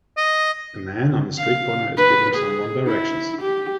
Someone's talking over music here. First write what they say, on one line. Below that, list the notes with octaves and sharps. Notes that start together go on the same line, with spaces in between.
A man on a street corner is giving someone directions.
D#5
F5
B4
G#4
E4
G4